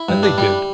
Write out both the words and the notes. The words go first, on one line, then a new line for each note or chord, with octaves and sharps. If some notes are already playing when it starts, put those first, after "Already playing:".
And they did.
Already playing: E4
G2
D4
G3